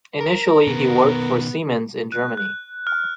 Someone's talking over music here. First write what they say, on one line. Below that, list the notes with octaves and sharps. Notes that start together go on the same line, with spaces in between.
Initially he worked for Siemens in Germany.
A#4
B2 D#3 B3
F#6
F#6
F6